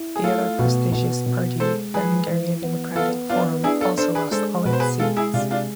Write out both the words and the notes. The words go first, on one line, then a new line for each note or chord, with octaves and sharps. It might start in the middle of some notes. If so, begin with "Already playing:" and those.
The other prestigious party, the Hungarian Democratic Forum also lost all its seats.
Already playing: E4
G#4
A3 F4 A4
B2
B2
B2
G#3 A4 C5
E3 G#4 B4
E3
B3
B3 F4 A4
B3 D4 F4
D4 E4 G#4
F4 A4
D4 A4 C5
G#4 B4
G#3 A4 C5
B2 B4
C5
G#4 B4
G#3 F4 A4
E4 G#4
C3 D4 F4
D4 F4